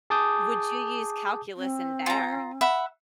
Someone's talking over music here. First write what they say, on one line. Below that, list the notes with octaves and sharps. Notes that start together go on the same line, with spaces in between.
would you use calculus in there?
G#4 A5 D6 D#6 G6
C4
F4 A#5
E5 F#5 B5